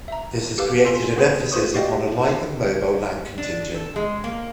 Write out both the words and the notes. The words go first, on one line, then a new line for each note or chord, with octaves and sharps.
This has created an emphasis upon a light and mobile land contingent.
E5 A#5
G4 A4 B4 F5 D6
F4 A4 G#5 C6 B6
B3 C4 G#4 B4 C5 B5
F4 B4 C5 C#6 D#6
F#4 G4 D5 D#5 F5 G5
D4
A4
G#3
A#3